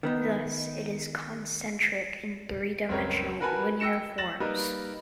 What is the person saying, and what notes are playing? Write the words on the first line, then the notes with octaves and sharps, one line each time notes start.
Thus, it is concentric in three-dimensional, linear forms.
D#3 B3 D#4
F#1 C#2 C4 A#4 C#5
F#4 A#4 B4 G#5 A5 B5
G5 E6 A#6 C#7 E7
A6 A#6 E7 F#7
G3 A#3 D#4 A#4 B4